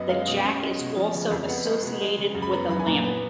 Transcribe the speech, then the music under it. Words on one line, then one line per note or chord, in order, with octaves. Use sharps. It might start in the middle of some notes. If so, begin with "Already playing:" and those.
The jack is also associated with a lamp.
Already playing: F#2 B3 D#5
G#3 F5
B2 D#5
C#4
G#3
B2
F3
C#3
F2
B3 F#5
G#3
B2
G#3
C#3
F#2
B5
B3 A#5
F#3 B5
G#5
A#2 A#5
B3